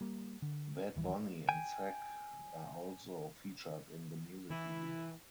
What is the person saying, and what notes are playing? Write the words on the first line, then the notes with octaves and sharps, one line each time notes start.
Bad Bunny and Sech are also featured in the music video.
G3 A#3
D3
D1 D#3 E3 G3
G5 G#5
E3 E4